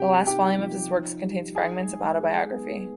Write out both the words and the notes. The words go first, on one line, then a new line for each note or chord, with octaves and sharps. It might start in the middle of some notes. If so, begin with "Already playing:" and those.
The last volume of his works contains fragments of autobiography.
Already playing: C3 D4 G4 G5
D#4 G4 G5
F3
D#4
G3
D#4 G#4 G#5
G#3
G#4
B3